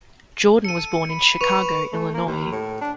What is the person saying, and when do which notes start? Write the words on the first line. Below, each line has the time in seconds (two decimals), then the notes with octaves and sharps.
Jordan was born in Chicago, Illinois.
0.65 A4 C#7 D#7
1.10 B5
1.41 B4 C#6 D#7 F7
1.93 A3
2.14 A#3
2.26 D#2
2.52 A2
2.81 D4